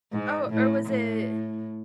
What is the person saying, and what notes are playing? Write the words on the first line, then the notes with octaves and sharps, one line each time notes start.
oh, or was it
G#2
A2
A2